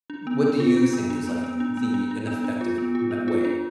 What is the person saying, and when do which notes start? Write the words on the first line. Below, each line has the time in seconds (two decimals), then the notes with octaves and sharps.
What do you think is, like, the ineffective me way,
0.10 D4
0.27 B3
0.44 B3
0.60 F4
0.77 D4
0.93 B3
1.10 D4
1.27 B3
1.44 B3
1.60 D4
1.77 B3
1.94 D4
2.11 D4
2.27 B3
2.44 D4
2.61 F4
2.78 B3
2.95 F4
3.11 B3
3.28 F4
3.45 D4